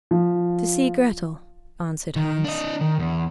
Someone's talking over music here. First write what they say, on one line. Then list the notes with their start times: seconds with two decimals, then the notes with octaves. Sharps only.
'To see Grettel,' answered Hans.
0.11 F3
2.16 D#3
2.44 D4 D#5
2.81 D#3
2.99 E2